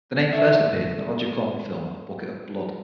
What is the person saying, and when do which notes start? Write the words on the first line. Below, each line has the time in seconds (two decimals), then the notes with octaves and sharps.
The name first appeared in the Roger Corman film "A Bucket of Blood".
0.32 D3 A3 A4 E5